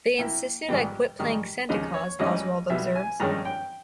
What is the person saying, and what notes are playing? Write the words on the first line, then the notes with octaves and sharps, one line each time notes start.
"They insisted I quit playing Santa Claus," Oswald observes.
A#2 A#3 E4 G5
G#1 G#2 D#3 G3 B3 G5
G#2 D#3 G3
D#2 C#3 G#3 D#4 D#5
C#5
G#1 G#2 E3 G3 C#4 D#5
B1 B2 G3 E5
G#5
G2 D#3 G#3 C#4 A#5
G5